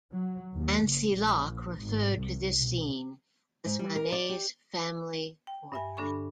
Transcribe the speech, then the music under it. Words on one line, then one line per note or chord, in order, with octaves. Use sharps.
Nancy Locke referred to this scene as Manet's family portrait.
F#3
D#2
F#1
A#1
G#1
C2
B2
G#2
G3
A#4
D5
G4
G5
G2 E5 G#5
G2 D3 D4 A4 B5 C#6